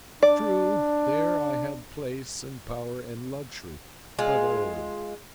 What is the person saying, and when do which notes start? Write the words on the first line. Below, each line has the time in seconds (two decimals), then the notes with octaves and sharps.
True, there I had place and power and luxury, but oh!
0.23 D4 D5
4.19 G#3 F4